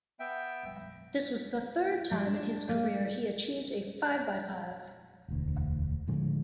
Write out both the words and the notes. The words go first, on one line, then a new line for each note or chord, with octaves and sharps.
This was the third time in his career he achieved a five-by-five.
B3 E5 G5
G3
D4
A#3
E1 D2
A2 D3 F3 G#3